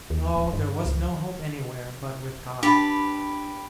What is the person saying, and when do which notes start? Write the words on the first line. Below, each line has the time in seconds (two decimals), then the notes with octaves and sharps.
No, there was no hope anywhere but with God.
0.10 D#2
0.36 D1
0.53 G2
0.85 C#2
2.63 D4 G4 B4 A5 B5